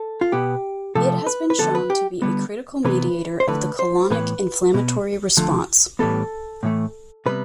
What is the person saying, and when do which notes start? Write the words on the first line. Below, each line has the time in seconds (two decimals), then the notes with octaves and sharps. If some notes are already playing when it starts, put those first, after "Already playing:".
It has been shown to be a critical mediator of the colonic inflammatory response.
Already playing: A4
0.21 F4
0.32 B2 B3 G4
0.95 C3 F3 A3 A4
1.27 B4
1.50 B4
1.58 D3 F3 B3 A4
1.75 B4
1.90 G4
2.22 D3 G3 B3
2.85 C3 E3 B3 B4
3.40 C5
3.48 D3 A3 B4
3.79 C5
4.10 A2 E3 B3 B4
4.74 B2 B3
5.37 D3 F3 A3
5.99 A2 E3 G3 B3 A4
6.63 A2 E3 A3
7.26 C3 G3 B3 B4